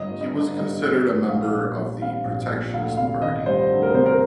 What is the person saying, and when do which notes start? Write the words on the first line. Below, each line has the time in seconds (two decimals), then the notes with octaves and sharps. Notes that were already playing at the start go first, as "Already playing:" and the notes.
He was considered a member of the Protectionist Party.
Already playing: G1 D#5
0.09 G2
0.21 D#5
0.33 D3
0.57 G3 D#5
0.81 G1
1.05 G2
1.29 A#1 F5
1.54 A#2
1.77 G3
2.02 C4 F5
2.25 A#1
2.50 A#2
2.74 D2 F5
2.97 C3 F5
3.21 D#3 D#5
3.45 G3 C5
3.70 D2
3.83 A#4
3.94 C3 C5
4.06 A#4